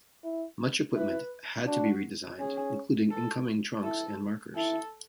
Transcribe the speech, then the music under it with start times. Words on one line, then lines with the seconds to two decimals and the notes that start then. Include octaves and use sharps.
Much equipment had to be redesigned, including incoming trunks and markers.
0.24 E4
0.96 E4 B4
1.67 D4 F#4
2.39 C#4 G#4
3.11 A4
3.83 E4 A4
4.56 E4 A4